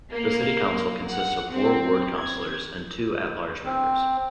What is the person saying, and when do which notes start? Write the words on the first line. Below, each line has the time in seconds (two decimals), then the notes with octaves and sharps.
The city council consists of four ward counselors and two At-Large members.
0.12 A#3
1.09 F#5
1.52 C4
2.15 G#6
3.65 C4